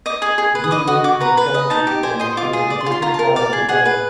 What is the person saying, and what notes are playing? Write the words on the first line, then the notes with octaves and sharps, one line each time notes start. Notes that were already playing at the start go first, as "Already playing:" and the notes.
Reworking the songs this way shows a different side of the band.
D#5 D6
G#4 D#6
G#4
B4
D#6
D#5 D6
F#4 D#6
F#4 D6
B4 A#5
B4
D#5
D#4 A5
G4
C5 G#5
D#5 C6
F4 D6
G#4
D5
C6
F4
C6
F4 A#5
A5
A#4
D5 F5
G#4
G#4 F#5
B4